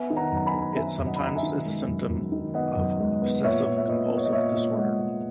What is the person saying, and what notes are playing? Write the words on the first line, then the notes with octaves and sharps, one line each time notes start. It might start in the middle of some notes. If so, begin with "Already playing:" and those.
It sometimes is a symptom of Obsessive compulsive disorder.
Already playing: B3 E5 G#5
D#3
F#5 A#5
F#2 A#5
G#5 B5
D#3
A#5
D#3 E5 G#5
F#2
D#5 F#5
B5
D#3
A#5
E5 G#5
D#3
G#3
F#2
F#2
D#3
B3 D#5 F#5
F#2
G#3
B3
A#2 C#5 E5
A#2
E5
A#2 B4 D#5
B3
C#5
D#5
A#2 C#5 E5
A#2
E5
G#3 D#5 F#5
G#3